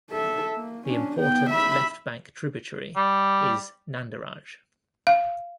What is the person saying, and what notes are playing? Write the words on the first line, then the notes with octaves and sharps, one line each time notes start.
The important left bank tributary is Nandiraj.
A4 E5
A#3
C#4 D4
B3 G5
E5 B5
G3
F5